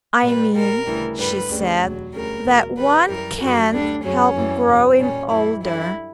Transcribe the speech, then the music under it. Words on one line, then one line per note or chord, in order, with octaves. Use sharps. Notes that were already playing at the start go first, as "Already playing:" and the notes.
'I mean,' she said, 'that one can't help growing older.'
A#2 G3 B4
A#2 G3 A#4
D2 C#3 E3 G3
G2 D3 G3 B4
D2 C#3 G3
E2 B2 F#3
D2 C#3 G3 A#4
E2 B2 F#3
E2 C#3 G3 B4
F#2 E3 G3 A#4
F#2 D3 G3 F#4
D2 D3 G3 D4
F#2 C#3 F#3 C#4
F#2 E3 G3
E2 B2 F#3
A#2 G3 C#4
F#2 E3 G3 E4
F#2 D3 G3 E4